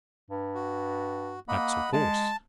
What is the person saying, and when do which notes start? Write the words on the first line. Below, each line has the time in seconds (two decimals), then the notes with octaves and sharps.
That's of course.
0.30 G2
0.55 F#4
1.48 A#3 D#5 F#5 B5
1.93 G#3 A5